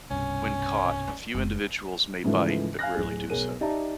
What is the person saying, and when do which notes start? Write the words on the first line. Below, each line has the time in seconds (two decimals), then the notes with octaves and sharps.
When caught, a few individuals may bite, but rarely do so.
0.10 C2 G2 B2 C#4
1.07 D4
1.34 F#1 G#3
2.24 G#2 C#3 E3 F3 A3
2.79 F5 G#5 F6 F#6 A#6
2.95 D1 G#4
3.30 B1 G#4 A#4 D#7
3.61 D#4 G4 D5 E5 A5 A#5